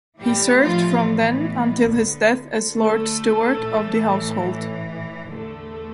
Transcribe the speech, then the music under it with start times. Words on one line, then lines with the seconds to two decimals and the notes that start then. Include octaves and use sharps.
He served from then until his death as Lord Steward of the Household.
0.19 A1 A2 E3 G3 G4
0.62 F3 F4
1.05 B3
1.90 D2 D3
2.74 A3
3.60 A1 A2 E3
5.29 E2 D3 A3